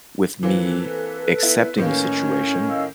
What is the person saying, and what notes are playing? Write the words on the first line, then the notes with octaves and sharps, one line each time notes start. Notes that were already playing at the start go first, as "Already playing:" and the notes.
with me accepting the situation,
E3 A#3 C4 A4 B4
B3 E4
A2 D#3 A#3 C#4
D#5 F5 E6